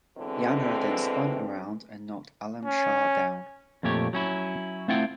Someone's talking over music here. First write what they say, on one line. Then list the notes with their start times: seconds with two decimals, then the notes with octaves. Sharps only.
Yanuar then spun around and knocked Alam Shah down.
0.18 B2 D3 E3 G#3 C4
2.66 C#4
3.83 F2 A#2 A3 G4 C#5
4.13 F#3 C#4 E4
4.88 A3 C4 E4 F4 F#5 G5